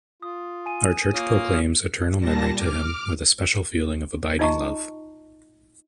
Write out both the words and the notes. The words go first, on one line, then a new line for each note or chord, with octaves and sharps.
Our Church proclaims eternal memory to him with a special feeling of abiding love.
F4 D#6
G#5 D#7
A#3 F4 C#5 D#6 F6
A#2 G3 A5 A#6
D6 F6
D#4 F4 D#5 A5 A#5 C#6